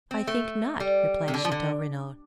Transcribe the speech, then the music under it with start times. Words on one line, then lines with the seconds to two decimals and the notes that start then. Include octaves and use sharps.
"I think not," replied Chateau-Renaud.
0.11 C4
0.27 A3
0.80 G3
1.28 C3
1.34 D3
1.45 F3
1.51 D3